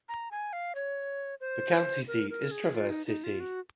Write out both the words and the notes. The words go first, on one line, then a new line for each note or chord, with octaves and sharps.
The county seat is Traverse City.
A#5
G#5
F5
C#5
C5
A#4
A#4
G#4
F4
D#4
D#4
F4
F#4